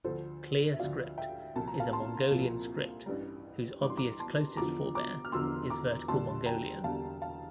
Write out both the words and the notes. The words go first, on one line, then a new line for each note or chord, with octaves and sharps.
Clear Script is a Mongolian script, whose obvious closest forebear is vertical Mongolian.
D2 D3 F3 A4 C5
E5
D2 D3 F3 D5 F5
E5 G5
C2 A#2 F3 A5
A#5
F5 A5
A5 C6
C2 A#2 F3
A1 G2 E3 G3
A1 G2 E3 G3 D6
C6
A#5 D6
A5 C6
E1 E2 D3 F3 A#5 D6
A#5 D6
F6
E1 E2 D3 F3 C6 E6
A#5 D6
E1 E2 D3 G3 A5 C6
G5 A#5
E1 E2 D3 G3 F5 A5
F5 A5